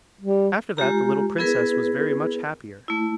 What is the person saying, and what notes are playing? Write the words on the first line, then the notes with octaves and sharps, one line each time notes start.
After that the little princess was very much happier.
G3
G#3 F4 G4 A#5
B3 E4 G#4 A#4 B4
A3 E4